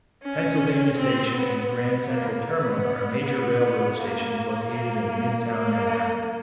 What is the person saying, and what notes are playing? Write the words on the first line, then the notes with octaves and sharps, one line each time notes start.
Pennsylvania Station and Grand Central Terminal are major railroad stations located in Midtown Manhattan.
C#4
C4
B3
B3
A#3
B3
B3
A#3
A#3
A#3